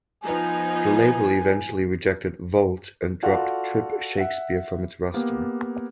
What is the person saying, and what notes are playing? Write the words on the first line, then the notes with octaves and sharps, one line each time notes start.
The label eventually rejected "Volt" and dropped Trip Shakespeare from its roster.
F3 B3 D#4 G#5
F4 F#4 A4 D5 F5 F#5
E5 F#5
A#3 B3 G4